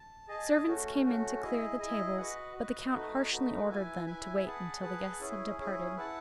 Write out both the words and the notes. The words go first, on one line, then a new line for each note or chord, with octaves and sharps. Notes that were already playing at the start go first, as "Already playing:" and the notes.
Servants came in to clear the tables, but the count harshly ordered them to wait until the guests had departed.
Already playing: A5
G#4 D#5 A5
A3 C#4 F#4
A3 C#4 F#4
E4 G#4 D#5
E4 G#4 D#5
F#4 B4 D#5 F#5
F#4 B4 D#5 F#5
A3 D#4 F#4 B4
A3 D#4 F#4 B4
E4 B4 E5 G#5
E4 B4 E5 G#5
G#4 B4 F#5 A5
G#4 B4 F#5 A5
C#4 E4 G#4
C#4 E4 G#4
E4 B4 F#5 A5